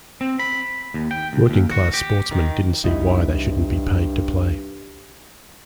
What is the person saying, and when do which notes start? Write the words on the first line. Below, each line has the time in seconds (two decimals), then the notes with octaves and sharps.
Working class sportsmen didn't see why they shouldn't be paid to play.
0.21 C4
0.39 B5
0.94 D#2
1.11 G5
1.33 C#2
1.50 D#2
1.71 F#4
1.94 G4
2.31 D#3
2.84 C2 G2 D#4 E4